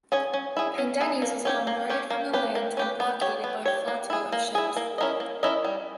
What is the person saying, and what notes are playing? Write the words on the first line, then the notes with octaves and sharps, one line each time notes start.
Pendennis was bombarded from the land and blockaded by a flotilla of ships.
C#4 G#4 C#5
C#4
E4 G#4
C#4
E4 G#4
A#3
C#4 G4 C#5
A#3
C#4 G4 C#5
A#3
C#4 G4 B4
A#3
C#4 G4 B4
B3
G4 C#5
B3
G4 C#5
A#3
E4 G#4
A#3
E4 G#4
A#3
C#4 E4 A#4 D#5
A#3
C#4 E4 A#4 D#5
G3